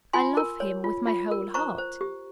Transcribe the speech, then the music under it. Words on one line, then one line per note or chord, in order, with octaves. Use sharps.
"I love him with my whole heart."
F4 G#5 C6
A#4
C#5
F4
F4
A#4
C5 A#5 C#6
C5
G4